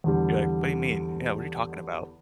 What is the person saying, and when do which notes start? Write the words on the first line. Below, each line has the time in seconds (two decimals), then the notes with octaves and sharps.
You're like, "What do you mean? Yeah, what are you talking about?"
0.04 E2 D3 G3